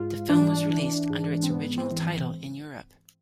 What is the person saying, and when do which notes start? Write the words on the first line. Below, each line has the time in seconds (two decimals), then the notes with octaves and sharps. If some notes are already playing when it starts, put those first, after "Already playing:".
The film was released under its original title in Europe.
Already playing: G#2 F4
0.29 E3 D4
0.70 E3
1.10 G#2
1.43 C4
1.50 G#2 B3
1.78 C4
1.91 E3